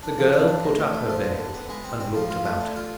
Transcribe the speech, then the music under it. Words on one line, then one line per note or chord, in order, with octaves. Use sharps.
The girl put up her veil, and looked about her.
D4
F3
D4
D4
A2
A3
A3
F3
D3
D3
B3
G#3
C4
C4
F3
F4
A3
D3
F4